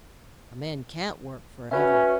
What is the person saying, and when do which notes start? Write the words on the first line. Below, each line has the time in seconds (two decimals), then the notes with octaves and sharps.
A man can't work for ever.'
1.71 C#4 F#4 B4 E5